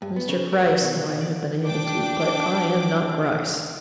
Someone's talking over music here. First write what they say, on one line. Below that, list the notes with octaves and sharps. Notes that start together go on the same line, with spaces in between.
Mr. Gryce might have been able to, but I am not Gryce.
G2
B3
C#3
A#4
F#4
B2
D#2
C#3
D5
D4 G5 D6